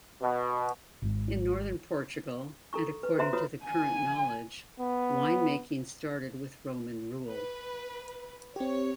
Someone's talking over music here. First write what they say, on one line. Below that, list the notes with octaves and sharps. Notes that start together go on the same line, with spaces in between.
In Northern Portugal, and according to the current knowledge, wine-making started with Roman rule.
B2
G#1 G#2
A4 A#5 C#6
B4
F#4 C5 E5 A#5 C6
F4 F#4 B4 C#5 A#5 D#6
G#5
B3
B4
C4 G4 C#5